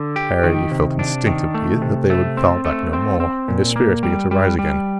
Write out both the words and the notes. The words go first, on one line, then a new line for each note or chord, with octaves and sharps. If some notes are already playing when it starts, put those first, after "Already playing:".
Harry felt instinctively that they would fall back no more, and his spirits began to rise again.
Already playing: D3
G4
D#3
C3
D4
D#3
A3
C3
A3
C4
A3
C4
C4
A#2
A#3
G3
G3
G3